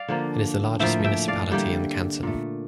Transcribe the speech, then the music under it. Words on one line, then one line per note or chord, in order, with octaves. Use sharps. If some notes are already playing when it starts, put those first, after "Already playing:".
It is the largest municipality in the canton.
Already playing: D5 F5
D3 F3 A#3
A2 F3 A#3 E5 G5
E5 G5
D5 F5
D3 G3 A#3 E4 G4
A#2 A3